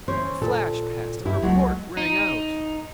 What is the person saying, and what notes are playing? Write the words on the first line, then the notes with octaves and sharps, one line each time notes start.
A flash passed, a report rang out.
E3 C#4 C5 C#5
A#2 A4
G2 E4 G4
C#2 F#3 G#3 A3
D#4